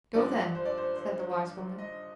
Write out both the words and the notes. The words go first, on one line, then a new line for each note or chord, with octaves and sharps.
"Go, then," said the wise woman.
G2 F3 G#3 D5
C5
D5
C5
C5
D#5